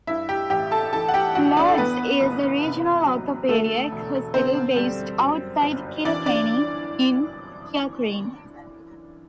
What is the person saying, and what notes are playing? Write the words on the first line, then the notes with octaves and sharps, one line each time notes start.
Lourdes is the regional orthopaedic hospital based outside Kilkenny in Kilcreene.
G2 E4 E5
G4 G5
A1 G4 G5
A4 A5
E3 A4 A5
F#5
G4 G5
A1 F#4 F#5
D4 D5
A4
E2 B3 B4
F#1
C3
F#3
D2 A3 A4
E1
D3 C4 C5
G3
F#2
G1
E3 D4 D5
D4 D5